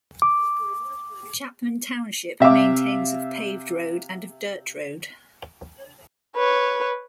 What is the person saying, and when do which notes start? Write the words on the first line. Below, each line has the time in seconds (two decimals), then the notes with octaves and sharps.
Chapman Township maintains of paved road and of dirt road.
0.22 D6
2.40 C3 E5 F5 D6
6.36 B4 C#5